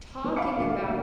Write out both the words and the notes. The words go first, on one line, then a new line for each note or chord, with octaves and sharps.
talking about
B3
F5 B5 D6 C#7
E1 D2
A4 F5
D2 A#3 E5